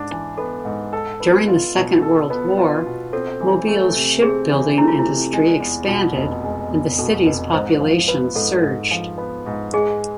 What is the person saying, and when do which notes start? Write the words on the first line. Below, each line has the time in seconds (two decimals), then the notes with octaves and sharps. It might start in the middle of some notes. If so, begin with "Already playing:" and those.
During the Second World War, Mobile's shipbuilding industry expanded and the city's population surged.
Already playing: G#2 D4
0.11 E3
0.38 B3 A4
0.65 G#2
0.93 A4
1.20 B3
1.47 F4
1.76 B2
2.02 A4
2.30 B3
2.58 F4
2.86 B2
3.13 C4 A4
3.40 E3
3.68 A3
3.96 C3
4.22 C4 G#4
4.50 E3
4.78 A3 E4
4.88 F4
4.99 E4
5.06 C3
5.33 G#3
5.60 E2
5.88 B2 F4
6.16 F1
6.44 G#3
6.70 E2
6.98 B2 A4
7.26 F1 B4
7.53 G#2 C5
7.81 F3
8.08 B3 B4
8.35 G#2 A4
8.63 G#2
8.91 F3
9.18 B3
9.46 G#2
9.73 G#3 G#4